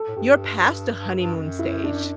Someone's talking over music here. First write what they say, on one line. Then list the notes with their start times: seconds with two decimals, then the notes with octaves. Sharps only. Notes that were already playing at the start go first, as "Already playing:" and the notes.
you're past the honeymoon stage.
Already playing: A4
0.09 A2
0.16 G2 G4
1.35 F#2
1.59 E4
1.84 D4